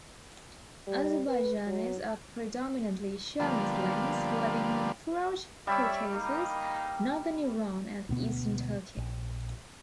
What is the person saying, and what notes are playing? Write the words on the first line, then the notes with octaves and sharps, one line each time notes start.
Azerbaijanis are predominantly Shia Muslims living throughout Caucasus, northern Iran and eastern Turkey.
G3
B4
F#3
D3 F3 G3 A#3 B3
G3 C#5 D5 E5
A#3 D#4
D2 B2 B3
A#1